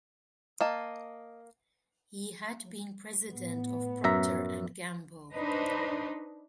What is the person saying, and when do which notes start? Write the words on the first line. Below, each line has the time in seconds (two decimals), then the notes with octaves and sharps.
He had been president of Procter and Gamble.
0.61 A#3 D#5 A5
3.30 A2 B3
4.04 F#2 E5 A#5
5.34 D4 D#4 B4 C5 D#5